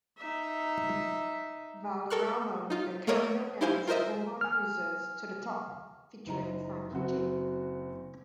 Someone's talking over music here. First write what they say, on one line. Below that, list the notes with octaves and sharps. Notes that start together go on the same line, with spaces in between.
Valderrama made a cameo appearance in Omar Cruz's "To The Top" featuring Frankie J.
D#4 E5
A4 A#4 C#6 F6 F#6
D#4 F4
A3 A#3 A#4 C#5 D#5
D#4 E4 G4 C5 F5 G#5
F4 A#4 C5 D#5 E5
G#5 F6
F#1 D#4 A#5
F#1 C4 F#4